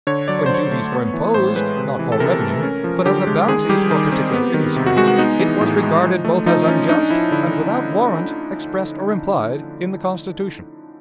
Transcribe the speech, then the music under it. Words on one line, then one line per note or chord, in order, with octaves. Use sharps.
When duties were imposed, not for revenue, but as a bounty to a particular industry, it was regarded both as unjust and without warrant, expressed or implied, in the Constitution.
D3 C#5
F#3 D5
C#5
C5
D3
C#5
A3
B3
E3
A2 C5
G#3 B4
C3
E3
A4
C3 A#4
A3
C#4
F3
D3 G4
G#3
D#3 G#4
G3 G4
D#3
C4
B3
D#3
C3
F#4
G#3 F#4
F#4
B3 D#4
E3
A2
G#3
F3
A3
F3 D#4
C#4 D#4
D4 D#4
F3 E4
D3 E4